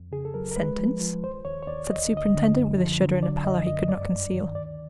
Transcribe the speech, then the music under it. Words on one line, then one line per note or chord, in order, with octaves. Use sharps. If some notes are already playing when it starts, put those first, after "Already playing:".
"A sentence?" said the superintendent, with a shudder and pallor he could not conceal.
Already playing: F2
C#3 G#4
A4
F#3 A#4
A#4
G#3 B4
F3
F3
D#2 C5
D#2 C#5
C#5
D#2 D5
D2 D#5
D2
D#5
D3
F#2
F3
D3
F#3 D5
F#2 D#5
F#2 D#5
G2 D5
G2
D#3
D2 D5